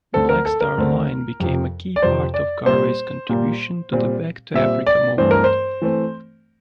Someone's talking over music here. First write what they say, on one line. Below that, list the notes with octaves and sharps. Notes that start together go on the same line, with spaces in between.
Black Star Line became a key part of Garvey's contribution to the Back-to-Africa movement.
D2 D3 A3 C4 A4
A#4
A4
A#4
D2 D3 A3 C4
F2 C3 F3
D5
F2 C3 F3 C5
D5
A#2 G3 A#3 C5
A#2 G3 A#3
A#2 G3 C4
A#2 G3 C4 E5
D5
G2 E3 A3 C4 C5
A#4
C5
E3 A3 C4